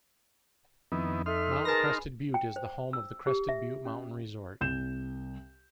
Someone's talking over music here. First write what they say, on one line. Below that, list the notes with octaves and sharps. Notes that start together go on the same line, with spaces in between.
Mount Crested Butte is the home of the Crested Butte Mountain Resort.
F2 D#3 B3 E4
D#4 A4 E5 C6 F6
G#4 A#4 B4 A5 A#6
G5
C5
E6
G4
E5
C#4
C2 G6 E7